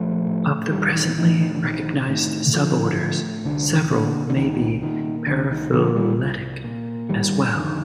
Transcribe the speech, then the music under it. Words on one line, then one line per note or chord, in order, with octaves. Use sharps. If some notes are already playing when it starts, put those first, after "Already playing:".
Of the presently recognized suborders, several may be paraphyletic, as well.
Already playing: A#1 F3 A3
A2
A#1 D#3 G3
D#3
A2 D#3
D#3
D3
A#1 D#3
A2 D#3
A#1 D3 F3
A2
C2 D3
A#2 D3
D3
C2 D#3
A#2 D#3
C2 D3
D#3
A#2 D3 F3
D#3 G3
C2
A#2
G1 D#3 G3
F2 D3 D#3